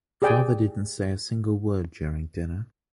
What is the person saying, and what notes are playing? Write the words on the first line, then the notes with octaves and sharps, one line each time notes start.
Father didn’t say a single word during dinner.
G4 G#4 D5 G5 G#5